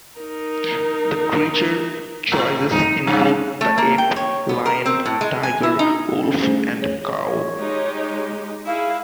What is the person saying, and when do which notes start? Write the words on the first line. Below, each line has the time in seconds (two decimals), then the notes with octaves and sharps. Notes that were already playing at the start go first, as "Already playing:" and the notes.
The creature choices include the ape, lion, tiger, wolf, and cow.
0.18 D#4 A#4
2.32 A2
2.72 D#4
3.07 G2 C#3
3.61 A3
3.78 A#3
3.98 G5
4.16 C#5
4.49 B3
4.66 A#4
4.86 C4
5.06 A2
5.21 G#3
5.43 G#5
5.63 E4
5.79 D#4
6.23 C#4 A4
6.42 G3 A3 C#4 G#4 C5
6.60 G#4
6.82 G#4 C#5
7.25 C#5
7.57 G#3 D#4 G4
8.67 E4 G#4 F5